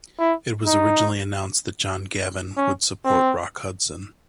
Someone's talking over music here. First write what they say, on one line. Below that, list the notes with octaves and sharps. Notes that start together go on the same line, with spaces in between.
It was originally announced that John Gavin would support Rock Hudson.
E4
D#4
C#4
C4